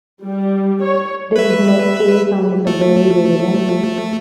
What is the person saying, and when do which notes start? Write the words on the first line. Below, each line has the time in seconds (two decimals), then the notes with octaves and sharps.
There is no "ey" sound in the Waray-Waray language.
0.23 G3
0.82 C#5
1.36 B4 E5
2.67 A3